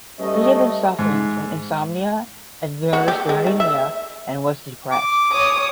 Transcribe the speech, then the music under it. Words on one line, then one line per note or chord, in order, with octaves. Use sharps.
He had been suffering from insomnia and neurasthenia and was depressed.
G3 A3 C#4 A4 B4 D#5
G#2
F#4
G4
G#3
D#3
E5
D6
C#5 D#6